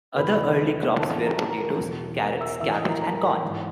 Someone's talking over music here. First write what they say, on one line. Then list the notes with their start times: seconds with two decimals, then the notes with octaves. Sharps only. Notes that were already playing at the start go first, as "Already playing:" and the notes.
Other early crops were potatoes, carrots, cabbage, and corn.
0.16 E2 C3 E3 B4 B5
0.97 A2 E3 A4 A5
1.11 A4 A5
1.25 A#5
1.37 A5
1.50 A#4 A#5
1.79 E2 B2
2.20 A#4 A#5
2.40 E5 E6
2.60 A2 E3 E5 E6
2.74 D#5 D#6
2.88 A#4 A#5
3.02 A#4 A#5
3.42 G#2 E3